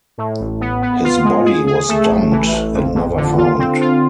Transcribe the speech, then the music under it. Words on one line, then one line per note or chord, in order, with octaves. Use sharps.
His body was dumped and never found.
A2
A1
B3
B3
F4
G#3
G#4
G#4
A3
A1
E3
A1
F2
F2
D3
F4
C4
F4